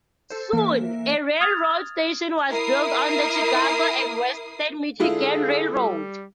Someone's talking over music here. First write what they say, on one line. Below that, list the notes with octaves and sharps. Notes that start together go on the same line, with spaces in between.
Soon, a railroad station was built on the Chicago and Western Michigan Railroad.
A4 C5
E3 A#3 A#4 E5
D#6 F6 G#6 A6 F7
E4 A#4 D#6 C7
D3 G#3 E4 F4 G#4 A4
G3